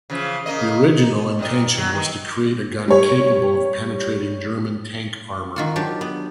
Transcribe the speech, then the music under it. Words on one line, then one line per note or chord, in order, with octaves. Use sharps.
The original intention was to create a gun capable of penetrating German tank armour.
C#3 E3 F3
C#3 A#3 D#5
D#4
A#2 C4 D#5
D#3 F#3
D#3
G3 C#5
D#3 F4 F#4
F#3 D4 G4
B3